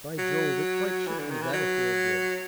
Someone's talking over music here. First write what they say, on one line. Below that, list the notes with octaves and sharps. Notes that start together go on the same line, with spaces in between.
By Jove! it quite shook me, that affair did.
F#3
E3
D3
D#3
E3
F#3